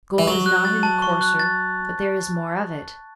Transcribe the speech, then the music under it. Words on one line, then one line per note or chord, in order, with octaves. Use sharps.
The gold is not any coarser, but there is more of it.
E3
F#3 C#6
F#6
A6
A5
C#6
F#6
A6